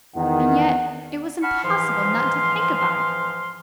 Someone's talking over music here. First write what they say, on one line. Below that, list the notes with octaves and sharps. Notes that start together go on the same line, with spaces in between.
And yet it was impossible not to think about it.
E2 D#3 F#5
F#5 A5 B5 C#6 F6
G#2 E3 F3 F5 C6